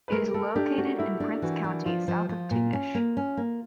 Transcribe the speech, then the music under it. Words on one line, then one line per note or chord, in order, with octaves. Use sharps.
It is located in Prince County, south of Tignish.
B4
A3 A#4
A3 A4
D4 G4
A3 F#4
A3 E4
D4
E3 F#4
D4
F3 F4
F3
F3
A#2
C#4
A#3
C#4
A#3